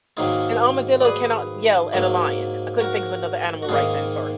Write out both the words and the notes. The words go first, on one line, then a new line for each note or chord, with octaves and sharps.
an armadillo cannot yell at a lion. I couldn't think of another animal right then, sorry,
G#2 D#3 F#3 A#3 F4 G#4
D5
G#4 B4
G#2 F#3 A#3
F#4 A#4
F#4
G#2 D#3 A#3 F4 G#4